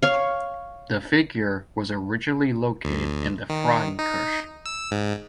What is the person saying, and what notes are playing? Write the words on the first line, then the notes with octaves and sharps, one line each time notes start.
The figure was originally located in the Frauenkirche.
C#5 F5
D2
D#3
D#4
E6
G#2